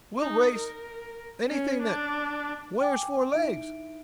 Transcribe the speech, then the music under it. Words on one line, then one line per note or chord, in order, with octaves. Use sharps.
We'll race--anything that--wears four legs.
D#4
A#4
C#4
D4
G5 G#5 D6
D#4 E4 E5 D7